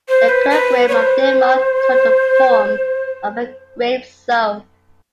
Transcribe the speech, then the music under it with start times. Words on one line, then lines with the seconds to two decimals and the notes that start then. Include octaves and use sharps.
The Kirkegrim of Denmark took the form of a 'grave-sow'.
0.08 C5
0.29 B4
0.50 B4
0.88 C#5
0.93 C5